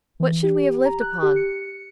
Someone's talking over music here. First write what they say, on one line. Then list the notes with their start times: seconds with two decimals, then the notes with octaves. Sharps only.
What should we have lived upon?
0.20 E3
0.43 G4
0.85 A#5
1.00 F#6
1.22 G4
1.36 C#7